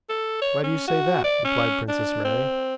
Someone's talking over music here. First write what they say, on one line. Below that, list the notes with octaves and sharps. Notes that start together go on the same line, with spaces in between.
"Why do you say that?" replied Princess Mary.
A4
C#5
C#4
F#4
D5
C#4
D4
C4